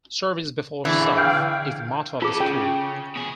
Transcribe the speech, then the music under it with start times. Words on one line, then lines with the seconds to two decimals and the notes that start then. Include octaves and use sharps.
"Service Before Self" is the motto of the school.
0.85 D3 E3 G#4
1.17 F5 G5
2.22 E3 F4 G#4 A4
2.40 C#3 G5
3.15 B2 G#4